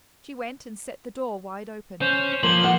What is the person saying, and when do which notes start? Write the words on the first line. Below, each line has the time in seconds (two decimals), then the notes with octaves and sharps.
She went and set the door wide open.
2.01 C#4 C5
2.43 F3 A#3 C6 F#7
2.64 A#3 F#5